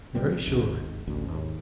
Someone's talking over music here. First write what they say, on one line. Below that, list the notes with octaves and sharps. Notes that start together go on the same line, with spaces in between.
"Very sure!"
A#1 C#3 G3 C4
G#1 D#2 G#2
A1 D2
D#2 G#2